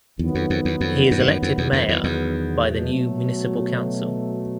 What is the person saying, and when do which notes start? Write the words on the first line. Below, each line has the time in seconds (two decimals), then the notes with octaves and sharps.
He is elected mayor by the new municipal council.
0.19 E2 D#3 F#3 B3
0.35 F2
0.50 F2
0.65 E2
0.81 F2
1.11 F#2
1.20 G2
1.28 F#2
1.43 F2
1.58 E2
1.73 F2
1.89 E2
2.04 E2
2.65 B2 F#3 A3